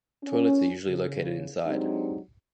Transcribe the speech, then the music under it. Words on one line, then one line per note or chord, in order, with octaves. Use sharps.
Toilets are usually located inside.
C#4
C#3
F#3 G#3 C4 D4 D#4 G4